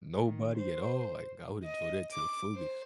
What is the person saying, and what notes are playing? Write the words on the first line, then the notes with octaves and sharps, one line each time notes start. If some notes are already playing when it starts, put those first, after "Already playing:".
Nobody at all, like I would enjoy that to the fullest.
D#3
C5
D#5
D6
C5